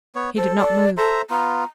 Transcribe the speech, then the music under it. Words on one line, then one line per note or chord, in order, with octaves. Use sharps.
He did not move.
B3 C#5
A4 C5
D5
A4 C5 E5 A#5
B3 F4 A#5